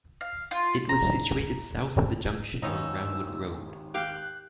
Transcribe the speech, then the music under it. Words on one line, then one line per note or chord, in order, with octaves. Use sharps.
It was situated south of the junction on Roundwood Road.
F5
F4
A#5
G#1 D#2 B2 C#4 D#4 E6
G4 F5 G5 F#6